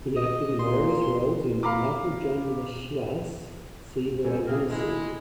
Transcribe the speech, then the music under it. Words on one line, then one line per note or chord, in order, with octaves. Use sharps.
He acted in various roles in Michael John LaChiusa's "See What I Wanna See".
D#5
A#2 C6
F5 A#5 B5 D6
G#2 C#3 A4 C5 G#5
A3 A#3 C4 D4 G#4 F6
D#3 G#3 A#3 E4 G#4